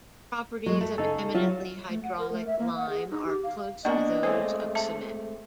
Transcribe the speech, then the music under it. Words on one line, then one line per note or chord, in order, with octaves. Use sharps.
Properties of eminently hydraulic lime are close to those of cement.
F#3 G#3
A3
C#3 D#4 A4
F#3 F4 F#4 E5
A3
F#5
A#4
A3
E5
A#3
F#5
G#4
D#4
G4
F5
G3 A#3 B3 D4 F#4 A#4 D#5
G#3 A3 C4 G#4 A4 C5 C#5
E5 A5